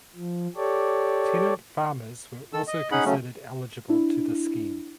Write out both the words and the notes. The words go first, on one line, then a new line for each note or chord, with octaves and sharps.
Tenant farmers were also considered eligible to the scheme.
F3
G4 A4 C#5 D5
D#3 A4 E6
D#5
C#4 D#4 G#4 F#5 B5
C#3 F#3 A3 C#4
D4 E4